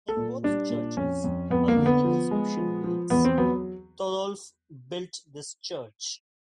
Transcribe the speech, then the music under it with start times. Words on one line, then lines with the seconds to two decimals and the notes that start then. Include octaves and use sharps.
In both churches a runic inscription reads: "Torolf built this church".
0.08 A4
0.17 A#2
0.43 G3 D4
0.70 A#2
0.97 F2 C#4
1.24 F2
1.50 F2 B3
1.68 A#3
1.77 D3
1.86 B3
2.04 F3
2.31 G#3
2.57 F3
2.84 F3
3.10 E2 B3
3.25 C4
3.38 F#3 B3